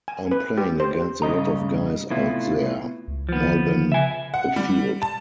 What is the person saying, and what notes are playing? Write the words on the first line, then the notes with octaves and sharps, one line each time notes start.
I'm playing against a lot of guys out there, more than the field.
G#5
B4
G4
C5
G2 C#3 D#5 A#5
A2 C3 B3 E4 F4
C#2
F3 B3
D3
C#3 E5 G#5
F#5
G3
A5